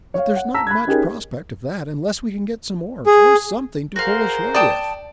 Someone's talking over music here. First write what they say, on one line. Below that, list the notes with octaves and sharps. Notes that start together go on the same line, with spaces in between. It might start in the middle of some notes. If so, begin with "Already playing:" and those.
But there's not much prospect of that, unless we can get some oars, or something to pull ashore with.
C#5 F5
F#5
A5 A#5 E6 B6
B5 F#6 G#6
C#4 D#4 G4 G#4 A#4
G#4
F#4 G#4 A#4 C5 F5
D5 G5 A5 D#6